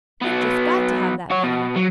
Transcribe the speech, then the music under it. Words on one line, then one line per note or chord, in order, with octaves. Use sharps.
We've jest got to have that money.
F#3 B3
F#4 C#5
B2
F#3